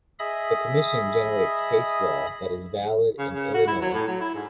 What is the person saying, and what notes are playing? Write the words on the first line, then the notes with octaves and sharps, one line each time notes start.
The Commission generates case law that is valid in Illinois.
G#4 D#5 E5 B5 D#6
C#3
C#3
F#4
E4
F#3
A2
F#3
E4
G#2